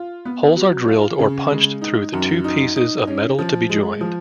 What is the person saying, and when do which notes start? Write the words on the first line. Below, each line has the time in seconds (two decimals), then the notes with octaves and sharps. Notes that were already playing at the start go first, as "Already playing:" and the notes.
Holes are drilled or punched through the two pieces of metal to be joined.
Already playing: F4
0.25 B3
0.56 F#3
0.88 F4
1.19 C#3
1.50 G#3
1.81 D#4
2.13 F#2
2.44 D#4
2.76 D#4
3.07 C#4
3.39 F3
3.70 G#3
4.01 F3